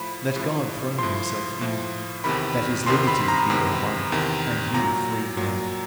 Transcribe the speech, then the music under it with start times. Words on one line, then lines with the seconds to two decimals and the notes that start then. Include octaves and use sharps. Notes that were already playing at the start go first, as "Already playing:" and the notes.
Let God throne himself in you, that his liberty be your life, and you free men.
Already playing: A2 F3 B5
0.36 A2 F3
0.98 A2 F3 C6
1.61 A2 F3
2.24 E2 C3 D#3 B5
2.86 E2 C3 D#3 C6
3.07 B5
3.28 A#5
3.50 E2 C3 D#3
4.12 E2 C3 D#3
4.74 A#2 F#3 A#5
5.37 A#2 F#3